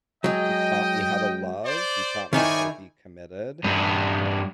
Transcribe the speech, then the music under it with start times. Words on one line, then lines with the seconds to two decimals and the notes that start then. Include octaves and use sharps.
he taught me how to love, he taught me how to be committed,
0.24 F#3 G#3 D#5 G5
1.65 C5 D5
2.33 D#3 D#4 E4 G#4 C#5 D5 G#5
3.64 G2 C#4